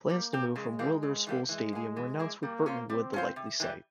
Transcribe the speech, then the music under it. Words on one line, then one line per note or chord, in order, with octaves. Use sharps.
Plans to move from Wilderspool Stadium were announced with Burtonwood the likely site.
G3 A#3
C4 G4
C#3 G#3
E3 G3 A#3
C#3
E3 G3 A#3
E3 G#3
A#3 E4 G#4
E3
A#3 E4 G#4
G3 A#3
C#4 F4 C5
G3 C4
C#4 F4 C5
C3
E3 G3